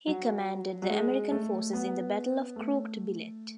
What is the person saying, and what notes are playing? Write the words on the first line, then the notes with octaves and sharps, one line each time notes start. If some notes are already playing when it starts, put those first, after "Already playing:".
He commanded the American forces in the Battle of Crooked Billet.
F#3
F#3
G#3
A3
B3
A3